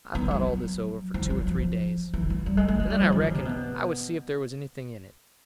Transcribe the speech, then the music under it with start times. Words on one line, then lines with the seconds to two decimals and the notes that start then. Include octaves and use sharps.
I thought all this over for two or three days, and then I reckoned I would see if there was anything in it.
0.15 B3
0.31 F#3
1.14 F3
1.30 F#3
1.47 F3
2.14 E3
2.30 F#3
2.46 G3
2.57 G#3
2.68 A3
2.79 G#3
2.90 G3
3.01 F3
3.12 E3
3.23 C#3
3.34 C3
3.45 B2